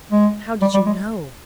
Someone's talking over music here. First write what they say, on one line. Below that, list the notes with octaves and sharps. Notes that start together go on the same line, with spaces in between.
"How did you know?"
G#3
G3
G3
G#3